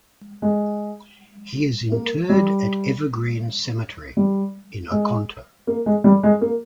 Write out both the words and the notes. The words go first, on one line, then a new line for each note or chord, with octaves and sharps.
He is interred at Evergreen Cemetery in Oconto.
G#3
A#3
G3
G3
G#3
A#3
G#3
G3
G#3
A#3